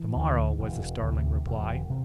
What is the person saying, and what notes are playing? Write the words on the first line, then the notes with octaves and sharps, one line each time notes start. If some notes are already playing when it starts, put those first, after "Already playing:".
"To-morrow," was the startling reply.
Already playing: E3
D2 D3
E1
D2 C3
E1
C3